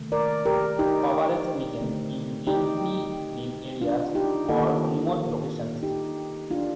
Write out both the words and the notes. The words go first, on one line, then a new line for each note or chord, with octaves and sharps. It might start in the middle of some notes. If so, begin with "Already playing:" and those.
Coverage weakens in densely built areas or remote locations.
Already playing: C3 D#3 A3
A#4 D5
G4 A#4
D#4 G4
D3 A3 C4
D#4 G4
D4 F4
D#4 G4
D#3 A#3 F4 A4
D#4 G4
D4 F4